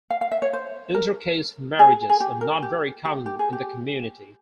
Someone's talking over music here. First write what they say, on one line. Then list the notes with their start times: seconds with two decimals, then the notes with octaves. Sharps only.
Inter-caste marriages are not very common in the community.
0.10 F5
0.21 F5
0.32 E5
0.42 C#5
0.53 C5
0.95 A#4
1.79 G#4
2.10 G#4
2.20 G4
2.41 A#4
2.62 G4
3.05 G4
3.26 G4
3.39 G#4
3.53 G4